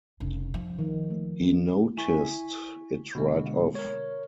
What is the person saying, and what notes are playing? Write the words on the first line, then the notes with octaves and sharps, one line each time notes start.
He noticed it right off.
F1 C#3
F3
D#3
A3
E4 G#5 C#6 B6
B2 D3 G#3
A#4 C#5